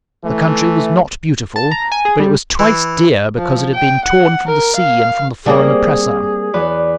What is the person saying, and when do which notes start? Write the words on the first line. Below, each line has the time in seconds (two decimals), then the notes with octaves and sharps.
The country was not beautiful, but it was twice dear because it had been torn from the sea and from the foreign oppressor.
0.24 E3 A3
1.56 A5
1.71 A#5
1.92 G#5
2.05 G#4
2.20 G3
2.59 E3
3.38 F3
3.75 G5
4.06 F#5
4.47 A#4
4.77 F5
5.46 G3 A#3 C4 G#4
6.54 E2 B4 D5